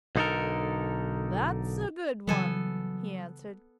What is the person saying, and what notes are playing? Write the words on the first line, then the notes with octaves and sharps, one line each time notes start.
'That's a good one,' he answered.
B1 D3 D#4 F4 A4 A#4
C#3 E3 F#3 G3 B3 A4 G#5